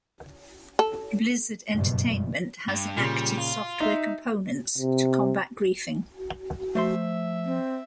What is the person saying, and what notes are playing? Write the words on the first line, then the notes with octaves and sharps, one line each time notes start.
Blizzard Entertainment has enacted software components to combat griefing.
A4
F#1 G2 B2
G2
A#2 C#3 G3
F4
D#4 E5
C3
F3 A3 C5 E5 C6
C4